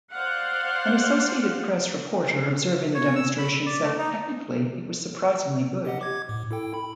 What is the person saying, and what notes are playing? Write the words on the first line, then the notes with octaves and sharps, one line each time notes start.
An Associated Press reporter observing the demonstration said, Technically, it was surprisingly good.
C5 D5 F5 F#5
C#5
E6
B5
D5
A3
D#4
G4 D#5 F#5
D6 G#6
A2
E4 A4 G5
B5